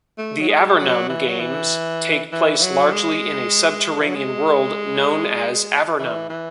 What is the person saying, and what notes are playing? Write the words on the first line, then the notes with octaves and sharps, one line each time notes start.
The "Avernum" games take place largely in a subterranean world known as Avernum.
A3
F#3
G#3
F#3
E3
F#3
E3
E3
E3
F#3
G#3
E3
F#3
G#3
E3
E3